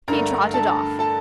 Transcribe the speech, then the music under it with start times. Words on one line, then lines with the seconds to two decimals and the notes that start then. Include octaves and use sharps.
He trotted off.
0.08 G2 D3 A3 A#4 A#5
0.54 A4 A5
0.99 A4 A5